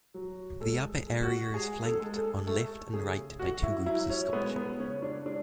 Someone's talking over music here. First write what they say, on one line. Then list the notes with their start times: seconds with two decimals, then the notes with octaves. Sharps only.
The upper area is flanked on left and right by two groups of sculpture.
0.14 F#3
0.60 G#3 A4
1.07 G#3
1.23 F#4
1.54 G#3 G#4
1.85 A4
2.00 G#3
2.16 A4
2.47 A3 A4
2.93 C#3 G#4
3.39 A3 F#4
3.63 E4
3.86 F#3 E4
4.10 C#4
4.33 G#3 B3
4.56 B3
4.79 C#3 C#4
5.02 D4
5.26 G#3 D4